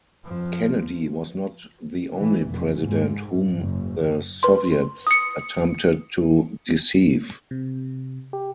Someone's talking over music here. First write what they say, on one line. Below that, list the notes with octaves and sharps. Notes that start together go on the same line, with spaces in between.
Kennedy was not the only president whom the Soviets attempted to deceive.
F2 F3
E3
F1
G#2
F#1
B4 C6
D#6 C#7
C3
G4